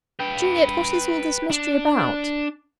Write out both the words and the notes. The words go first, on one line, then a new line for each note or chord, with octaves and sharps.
Juliet, what is all this mystery about?
B4 G5
D4